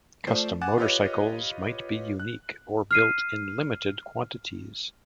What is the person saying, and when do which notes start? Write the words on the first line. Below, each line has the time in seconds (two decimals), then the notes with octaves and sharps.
Custom motorcycles might be unique, or built in limited quantities.
0.27 F3 A3 C5 D5
0.61 F#5 G#5 D6 F#6 A6 E7
0.78 F4 G4 B4 C#5 D#5
2.20 F#6
2.91 F6 C7 D#7